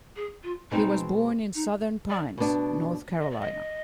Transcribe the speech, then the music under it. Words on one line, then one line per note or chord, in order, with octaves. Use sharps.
He was born in Southern Pines, North Carolina.
G#4
F4
B2 G#3 C4 D#4
D#4
D5
B2 B3 D4
D#5
D5
D#5